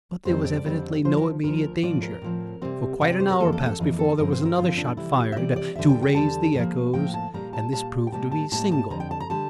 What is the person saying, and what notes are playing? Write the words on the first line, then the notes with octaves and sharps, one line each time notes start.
But there was evidently no immediate danger, for quite an hour passed before there was another shot fired to raise the echoes, and this proved to be single.
F2 D3 G3 C4 C5
D5
F2 D3 G3 C4
D2 D3 F3 C5
A#4
D2 D3 F3 A#4
A2 F3 C4 D5
A#4
A2 F3 C4
C3 G3 C4
C3 G3 C4 F5
D5
C5
A#4
F2 E3 A#3 A4
A4
A4
F2 E3 A#3
A4
G2 D3 F3 C4 A#4
C5
A#4
G2 D3 F3 C4 F4
D4
C3 E3 G3 E4
E5
C3 E3 G3 D5
D5
E2 D3 G3 E5
G5
G5
E2 D3 G3 A5
A2
F3 A#3
A2 F3 A#3 G5
A5
A#2 G3 A#3 A#5
A5
A#2 G3 A#3 A5
G5
A2 G3 A#3 A5
A5
A2 G3 A#3 A5
A5
F2 D3 G3 A#5
G5
A5
A#5
D3 G3 A5